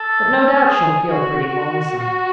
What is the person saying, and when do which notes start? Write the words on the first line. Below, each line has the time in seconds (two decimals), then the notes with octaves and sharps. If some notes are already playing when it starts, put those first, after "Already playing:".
But no doubt she'll feel pretty lonesome.
Already playing: A4
0.65 G#4
1.11 F#4
1.99 F#4